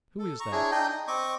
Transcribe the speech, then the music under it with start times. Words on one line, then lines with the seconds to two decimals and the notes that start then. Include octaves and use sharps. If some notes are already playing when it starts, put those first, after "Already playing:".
Who is that?'
0.19 A4
0.40 A#5 C#6
0.52 D4 E4 G#4 C#5
0.71 D4 D#4 D#5 G5
0.88 D#5
1.07 C4 D#5 C#6 D6